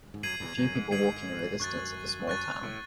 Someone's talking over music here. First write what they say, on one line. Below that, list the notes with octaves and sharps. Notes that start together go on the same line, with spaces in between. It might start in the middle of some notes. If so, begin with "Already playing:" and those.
A few people walking in the distance of a small town.
G#2
F#2 G#6 C7 D#7 F#7
E2
F#2
G#2
G#2 G#6 C7 D#7 F#7
F#2 C#6 F#6 A6
F#2 C#6 F#6 A6
A2